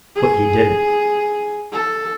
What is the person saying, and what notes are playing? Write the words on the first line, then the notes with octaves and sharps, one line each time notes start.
But he didn't.
G#4
A4